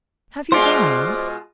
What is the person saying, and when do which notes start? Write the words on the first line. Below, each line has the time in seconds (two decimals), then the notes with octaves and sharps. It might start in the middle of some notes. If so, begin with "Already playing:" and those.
'Have you dined?
0.52 B2 G#3 F4 C5 D5